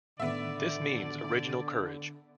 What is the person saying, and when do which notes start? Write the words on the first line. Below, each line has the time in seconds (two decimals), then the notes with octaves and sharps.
This means original courage.
0.20 A2 D3 D#3 B3 D5 E5